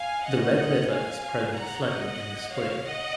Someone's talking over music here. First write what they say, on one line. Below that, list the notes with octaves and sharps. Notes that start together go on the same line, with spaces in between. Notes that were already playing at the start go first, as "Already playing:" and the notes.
The Red River is prone to flooding in the spring.
Already playing: F5 G#5
D#5 F#5
D#5 F#5
F5 G#5
F#5 A#5
D#5 F#5
C#5 F5
D#5 F#5